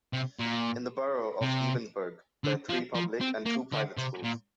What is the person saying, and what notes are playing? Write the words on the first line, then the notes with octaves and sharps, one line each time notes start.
In the borough of Ebensburg, there are three public and two private schools.
C3
A#2
C3
D3
F3
F3
C4
A#3
D3
C3
A#2